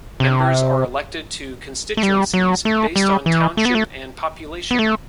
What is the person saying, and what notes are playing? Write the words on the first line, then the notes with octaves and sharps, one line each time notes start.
Members are elected to constituencies based on township and population.
C3
A3
G3
F#3
A3
G3
E3
A3
B3
A3
B3
A3